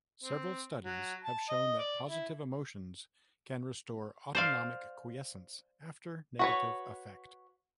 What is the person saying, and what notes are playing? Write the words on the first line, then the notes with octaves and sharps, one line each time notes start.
Several studies have shown that positive emotions can restore autonomic quiescence after negative affect.
C4
F#3
A5
D#5
D5
E4
C5 D5 F5
F#4 B4 C#5